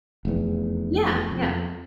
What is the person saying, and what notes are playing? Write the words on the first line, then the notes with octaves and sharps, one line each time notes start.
Yeah, yeah.
F1 E2
F2